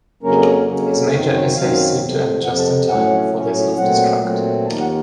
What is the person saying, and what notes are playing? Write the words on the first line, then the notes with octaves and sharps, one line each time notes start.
"His major essays seem to end just in time, before they self-destruct".
F2 C#3 F#3 A#3 C#4 A#4
F2 C#3 F#3 A#3 C#4
F#2 D#3 F#3 C4 C#5
C#5
F#2 D#3 F#3 C4 F5
F2 C3 F3
F2 C3 F3 F#5
A5
A2 F#3 A3 C#4 F#5
A2 F#3 A3 C#4
A#2 F#3 A3 C4 F#5
A#2 F#3 A3 C4
D#2 D#3 A#3 A5
F#5